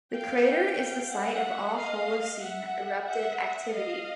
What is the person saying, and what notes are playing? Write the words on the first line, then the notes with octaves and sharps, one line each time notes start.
This crater is the site of all Holocene eruptive activity.
F5 G5
F5 G5
E5 F#5
D#5 F5
E5 F#5
E5 F#5
D#5 F5